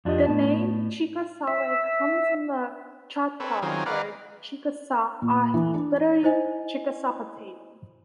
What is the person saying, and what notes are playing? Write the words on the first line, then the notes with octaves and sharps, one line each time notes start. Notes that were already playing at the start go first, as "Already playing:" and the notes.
The name "Chickasawhay" comes from the Choctaw word "chikashsha-ahi", literally "Chickasaw potato".
F2 D4 F4 G4 D#5
A2 B3 A5
E5
C4 A4 B4 C#5
D#3 F#3 C4 C#4 F4 G#4
A#4 B4 D5 F5 F#5
A#2
E3
D4
E4 C5 D#5 G#5